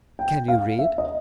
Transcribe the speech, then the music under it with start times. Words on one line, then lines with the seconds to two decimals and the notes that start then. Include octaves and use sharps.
"Can you read?"
0.19 G5
0.48 F5
0.79 E5
0.98 D#5